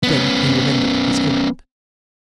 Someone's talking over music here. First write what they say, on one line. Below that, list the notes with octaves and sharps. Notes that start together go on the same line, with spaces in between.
Then he remembered his errand.
B3 C#4